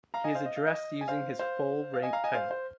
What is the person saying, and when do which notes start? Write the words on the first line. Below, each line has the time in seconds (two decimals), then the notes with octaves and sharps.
He is addressed using his full rank title.
0.14 F5 A#5
0.24 D#5 G#5
0.35 C5 F5
0.45 D#5
0.56 F5
0.67 D#5
1.01 G#5
1.08 C5 F5
1.39 C5 F5
1.94 F5
2.03 D#5 G#5
2.13 F5 A#5
2.24 D#5 G#5
2.34 C5 F5
2.51 C5